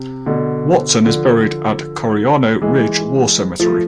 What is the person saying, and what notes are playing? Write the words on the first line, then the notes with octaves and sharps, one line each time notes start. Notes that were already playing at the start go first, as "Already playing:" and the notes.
Watson is buried at Coriano Ridge War Cemetery.
Already playing: C3
B2 D3
D3 F3
E3 G#3
F3 A3